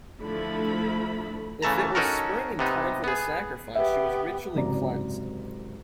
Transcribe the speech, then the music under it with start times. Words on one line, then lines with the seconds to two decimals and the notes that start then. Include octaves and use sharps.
If it was spring and time for the sacrifice, she was ritually cleansed.
0.20 D3 F3 A3 E4 A4 B5
1.62 C#3 E3 A3 A5 A#5
1.95 C#4 D#4 F#4 A4 A#4
2.59 C3 B3 D#4
3.04 B3 G#4
3.75 B3 G4 E5
4.54 F#1 G#2 C3 F#4 D5 A#5